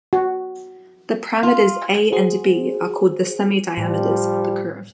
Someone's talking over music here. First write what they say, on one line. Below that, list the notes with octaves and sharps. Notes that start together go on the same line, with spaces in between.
The parameters "a" and "b" are called the "semi-diameters" of the curve.
F#4
F4
F#4 G#4 C5
A2 F3 G3